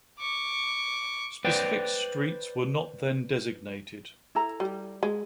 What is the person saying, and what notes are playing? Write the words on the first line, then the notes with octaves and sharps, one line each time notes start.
Specific streets were not then designated.
C#6 D6
B4 C5 D5 G5
E4 A4 A#5
G3
G#3